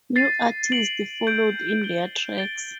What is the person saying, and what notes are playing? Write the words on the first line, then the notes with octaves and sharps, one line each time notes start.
New artists followed in their tracks.
A6 C7 D#7
A6 D7 F#7
G6 D7 F#7
G6 D7 G7
A6 D7 G7